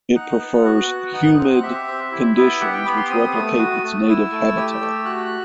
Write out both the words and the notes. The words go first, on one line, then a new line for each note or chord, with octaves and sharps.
It prefers humid conditions which replicate its native habitat.
D#4 F#5
B3
F#4
B3
D#4
C4
G4 E5
C4
E4
B3
G4 F#5
G5
B3 B5
C6
C4 D#6
A3
F#4
A3
E4 E6
A3
G4
A3
F#4 F#6